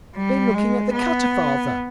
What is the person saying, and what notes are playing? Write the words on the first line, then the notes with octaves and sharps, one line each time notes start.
"Been looking at the cutter, father?"
G3
G#3
B3